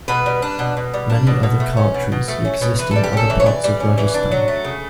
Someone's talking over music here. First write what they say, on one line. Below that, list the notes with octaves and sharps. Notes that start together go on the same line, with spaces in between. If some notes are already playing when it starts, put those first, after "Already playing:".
Many other chhatris exist in other parts of Rajasthan.
B2 B4
G3
D4
B2
B2
G3
D4
B2
B2
A3
C#4
B2
B2
A3
C#4
B2
E3 B4
G3 A4
G4
C#4 A4
E3
C#5
E3 D5
G3
C#4
E3
D4
F#3
A3
C#3